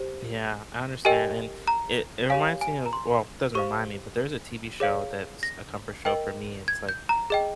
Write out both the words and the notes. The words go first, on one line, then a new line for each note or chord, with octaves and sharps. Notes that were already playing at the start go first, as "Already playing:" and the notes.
Yeah, I understand, and it it reminds me of well, it doesn't remind me, but there's a TV show that's a comfort show for me, it's like,
Already playing: G4 C5
G4 A#4 D#5 G5 G#5
A#5
G4 C#5 F5 G#5
G#5
A#5
C6
G4 C5 F5 C#6
G#4 C#5 F5
A#6
A#4 D#5 G5
G#6
G6
A#5
G#4 D#5 G5